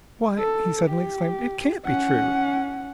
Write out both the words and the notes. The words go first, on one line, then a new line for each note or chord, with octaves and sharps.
Why!" he suddenly exclaimed, "it can't be true.
A4
G4
C#4 F#5